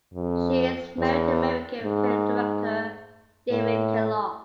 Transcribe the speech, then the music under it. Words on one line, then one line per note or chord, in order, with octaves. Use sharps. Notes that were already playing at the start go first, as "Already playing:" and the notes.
She is married to American film director David Kellogg.
F2
E2
G#2
A2